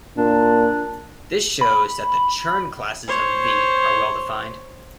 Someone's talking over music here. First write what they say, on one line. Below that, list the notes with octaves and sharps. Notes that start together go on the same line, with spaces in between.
This shows that the Chern classes of "V" are well-defined.
A#2 D4
B5
C5 C#5